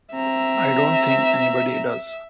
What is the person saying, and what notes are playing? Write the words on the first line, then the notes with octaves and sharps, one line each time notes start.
I don't think anybody does.
C4 E5 A#5